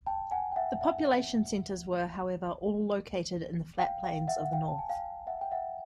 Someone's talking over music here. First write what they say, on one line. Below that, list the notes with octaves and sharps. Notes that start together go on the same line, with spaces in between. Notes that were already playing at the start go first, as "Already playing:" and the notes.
The population centers were, however, all located in the flat plains of the north.
G5 A5
F#5 G#5
G5
E5 F#5
E5 F#5
F5 G5
F5 G5
E5 F#5
F#5
F5 G5
A5
G#5
F5 G5
E5 F#5
G5
E5 F#5